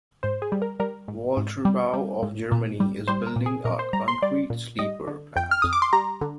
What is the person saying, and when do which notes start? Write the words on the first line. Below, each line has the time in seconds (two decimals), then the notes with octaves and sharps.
Walterbau of Germany is building a concrete sleeper plant.
0.23 G#2 C5
0.42 G#4
0.52 G3
0.62 A#4
0.80 G3 A#4
1.08 G#2
1.37 G#2
1.65 G3
1.94 G3
2.23 G#2
2.52 A#2
2.80 G3
3.08 G3 C5
3.27 A#4
3.36 A#2
3.46 G#4
3.65 A#2 A#4
3.79 C5
3.93 G3 A#5
4.08 C6
4.22 G3 D5
4.50 A#2
4.79 G3 D#5
5.07 D3
5.36 F2 G5
5.51 F6
5.62 F2 D#6
5.73 D6
5.82 C6
5.93 G3 A#5
6.21 D3